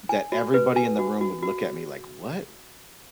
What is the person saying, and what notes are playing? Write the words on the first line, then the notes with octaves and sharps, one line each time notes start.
that everybody in the room would look at me like, "What?"
G#5
F#4
B4
G#5
F#4
F#4
F#4